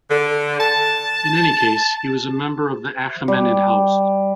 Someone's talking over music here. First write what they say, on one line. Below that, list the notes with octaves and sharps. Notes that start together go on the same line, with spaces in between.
In any case, he was a member of the Achaemenid House.
D3
A5
G3